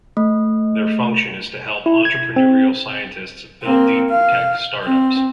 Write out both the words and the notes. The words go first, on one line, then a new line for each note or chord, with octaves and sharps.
Their function is to help entrepreneurial scientists build Deep Tech startups.
A3
E4
G#6
C4
A#3 C4
F5
C4